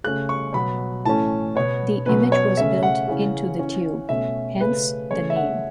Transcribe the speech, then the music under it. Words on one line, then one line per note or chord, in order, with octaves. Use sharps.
The image was built into the tube, hence the name.
C#3 A3 C#4 F#6
C#6
B2 F#3 B3 B5
A2 E3 A3 C#4 A5
B2 B3 C#5
B2 F#3 C#4 B4
C#5
C#3 A3 C#4 E5
F#5
C#3 E3 C#4
E3 C#4
B2 A3 C#4 E5
C#3 A3 C#4 B4
C#3 A3 C#4 C#5
E5
F#5